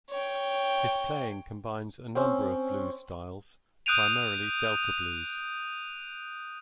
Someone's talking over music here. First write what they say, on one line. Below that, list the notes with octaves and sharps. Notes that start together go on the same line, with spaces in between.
His playing combines a number of blues styles, primarily Delta blues.
C#5 G5
C4 C#4
D#6 F#6 G6 D7 D#7 F7